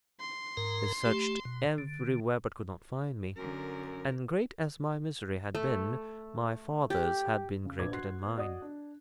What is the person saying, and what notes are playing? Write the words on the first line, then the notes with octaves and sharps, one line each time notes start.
They searched everywhere, but could not find me; and great as my misery had been, my father's had been greater than mine.
C6
G#2 A#4 A#5
A3 G4
B2
D3
F#2 D3 A#4
A3
G4
C#3
A#1 D4 B4 D6 G#6
F#4 C6 F#6 C7
B3
F#4 D5 D#5 D#6
D4